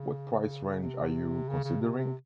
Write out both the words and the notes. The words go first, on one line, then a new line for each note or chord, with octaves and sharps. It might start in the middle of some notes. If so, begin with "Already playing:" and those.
What price range are you considering?
Already playing: C#3
C3
C#3
C#3
C3
C3